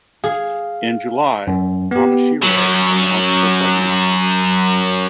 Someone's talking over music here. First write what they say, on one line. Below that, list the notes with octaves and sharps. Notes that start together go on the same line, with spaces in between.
In July, Tamashiro announced her pregnancy.
G#4 F5
F#2
B3 G4
F#2 F#3